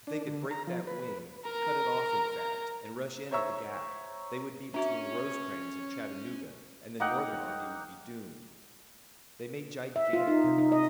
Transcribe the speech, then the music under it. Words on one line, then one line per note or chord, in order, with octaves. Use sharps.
If they could break that wing, cut it off in fact, and rush in at the gap, they would be between Rosecrans and Chattanooga and the Northern army would be doomed. They made gigantic efforts.
D4
D3
A#5
F3
B4
A#4 A#5
C5 C#5 E5 A#5 C#6 E6
C#4 D4 F#4 C#5 E5 A#5
A#3 D#4 F#5 G5
E5
F4
D#4
C3
D#4
D#5